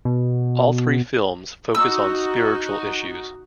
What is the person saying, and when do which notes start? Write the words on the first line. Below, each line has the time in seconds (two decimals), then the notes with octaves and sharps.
All three films focus on spiritual issues.
0.05 B2
1.75 D#4 F#4 E6